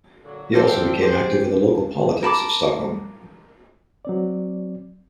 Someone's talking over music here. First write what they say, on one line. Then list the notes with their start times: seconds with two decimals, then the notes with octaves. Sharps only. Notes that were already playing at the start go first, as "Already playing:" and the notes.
He also became active in the local politics of Stockholm.
0.23 A#2 D3 F#3
0.54 D3 C4 A4 C5 D5 F5 G5
1.03 G4 G#4 C5
2.23 A#4 A5 B5 D6
4.05 F#3 C4 D5